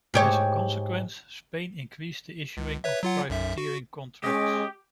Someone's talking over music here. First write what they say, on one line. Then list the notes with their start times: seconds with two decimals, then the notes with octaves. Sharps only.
As a consequence, Spain increased the issuing of privateering contracts.
0.14 G#2 G4 C#5
2.57 C#2
2.84 B4 C#5 E5
3.03 F#3 F4 F#5
3.30 B1 F#2 E5
3.58 F#4
4.24 G#3 C#4 G4 D#5